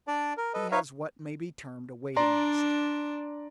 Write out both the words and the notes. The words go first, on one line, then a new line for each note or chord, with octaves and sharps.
He has what may be termed a waiting-list.
D4 D5
A#4
A4 B4 D#5
D#4 B4 C#5 E5 F5
D4 D5 A#5 C6